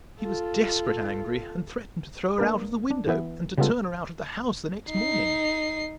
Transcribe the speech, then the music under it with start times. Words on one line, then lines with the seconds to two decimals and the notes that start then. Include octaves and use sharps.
He was desperate angry, and threatened to throw her out of the window; and to turn her out of the house the next morning.
0.21 F4 A4
2.38 A#3 D4 A#4 B4
2.91 D4
3.08 E3 B3 E5
3.58 C#3 G3 G#3 B3 F4 A4
4.91 D#4 C7